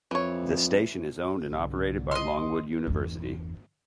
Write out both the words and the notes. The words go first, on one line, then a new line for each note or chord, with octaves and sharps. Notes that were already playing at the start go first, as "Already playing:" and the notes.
The station is owned and operated by Longwood University.
F2 E3 C#5
C2 G#2 D3
D#5 C6
G1 E2